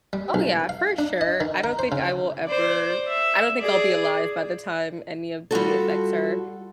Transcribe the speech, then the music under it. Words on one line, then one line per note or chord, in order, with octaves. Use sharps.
Oh yeah, for sure. I don't think I will ever I don't think I'll be alive by the time any of the effects are,
G3
B1
F5
D4
D#5
D#3
A#4
C5
C#3
C5 D5
E5
G#4 D5
G3 F4 F#4 A4